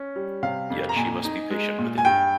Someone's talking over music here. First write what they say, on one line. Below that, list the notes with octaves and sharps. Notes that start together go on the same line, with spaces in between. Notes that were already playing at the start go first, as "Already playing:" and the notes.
Yet she must be patient with him.
Already playing: C#4
G3
C3 F5
F2
A#5
A#2 G#5
D#4
G#3
A#2
G#5
G2 G5